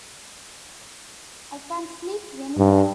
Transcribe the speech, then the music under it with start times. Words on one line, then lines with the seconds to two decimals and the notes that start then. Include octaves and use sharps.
I can sleep anywhere.
2.58 G2